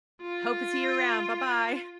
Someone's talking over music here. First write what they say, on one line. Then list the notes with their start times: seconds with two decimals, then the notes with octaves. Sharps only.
Hope to see you around. Bye-bye.
0.22 F4